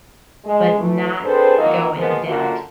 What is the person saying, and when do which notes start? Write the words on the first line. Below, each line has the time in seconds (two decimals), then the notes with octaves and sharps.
but not go in debt
0.45 G#3
0.78 E3 A3
1.23 C4 D4 G#4 A4 B4 C5
1.58 D#3 F#3 A#3 D#4 F4 D#5
1.97 A#2 F3 G#3 B3 A#4 C5
2.26 F#2 D3 A3 A#3 F4 F#4